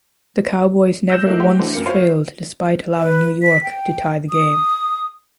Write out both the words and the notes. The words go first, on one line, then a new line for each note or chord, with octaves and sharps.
The Cowboys never once trailed despite allowing New York to tie the game.
E6 F#6 G6 A#6 E7
A3 A#3 D#4 E4
A3 F#4 G4 C5
E3 A3 D4 F#4 C5
F#2 A#3 C#7
F4 F#4 C5 C#5 E5 F5
B4
B6
G5
D#6